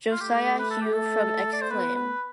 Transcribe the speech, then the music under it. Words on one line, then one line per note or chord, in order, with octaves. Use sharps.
Josiah Hughes from Exclaim!
F4
A3 G4
B4
A4
G4
A4
D5
C5
B3 B4
B4